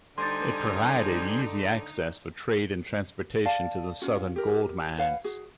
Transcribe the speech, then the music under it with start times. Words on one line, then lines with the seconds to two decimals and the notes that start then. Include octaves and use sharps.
It provided easy access for trade and transportation to the southern gold mines.
0.18 D3 G3 D#4 C5 G#5 C6 A6
3.45 D5 F5 A5
4.02 C#4 F4 F#4
4.36 G4 A#4
4.98 B4 C#5 F5 F#5
5.24 F#4 G#4